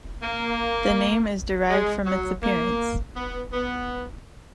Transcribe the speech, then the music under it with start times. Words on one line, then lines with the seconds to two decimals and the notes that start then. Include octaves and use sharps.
The name is derived from its appearance.
0.23 A#3
1.70 G#3
2.06 F#3
2.43 A#3
3.17 B3
3.53 B3